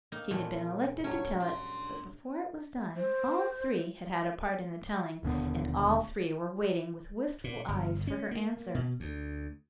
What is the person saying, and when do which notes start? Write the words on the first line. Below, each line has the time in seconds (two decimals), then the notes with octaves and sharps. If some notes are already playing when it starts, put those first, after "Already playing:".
She had been elected to tell it, but before it was done all three had had a part in the telling, and all three were waiting with wistful eyes for her answer.
0.12 A#3 D#4
0.31 E2 A#2 E3 A3
1.04 G2 F#3 A3 C#4 C#5
1.40 D4 C6
2.97 C5
5.23 E1 D#2 D3 B3
7.44 A#2
7.68 G1
8.07 C#4
8.31 A#3
8.75 B2
9.00 D2